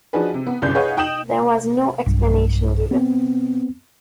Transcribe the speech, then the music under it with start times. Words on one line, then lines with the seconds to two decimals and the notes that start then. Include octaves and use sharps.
There was no explanation given.
0.13 F3 D4 D#4 F#4 G#4 B4
0.34 C3
0.47 B3
0.62 G1 C2 F#2 C#3 D5 G6
0.75 G#4 B4 C#5 D#5 F5 F#5
0.97 D#4 G5 D#6 G6 E7 F#7
2.07 B1 G2
2.91 B3 C4